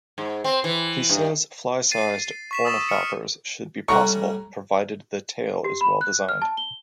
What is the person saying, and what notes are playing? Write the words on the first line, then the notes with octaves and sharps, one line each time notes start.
He says fly-size ornithopters should be possible, provided the tail is well designed.
G#2
C4
E3
G2
A6 C7 D#7
C#6 B6 E7
D#6 E6 A6 E7
F6 C#7
G3 A3 C#4 F#5 A#5 C#6
G4
B5
F#6
F6
A5
G7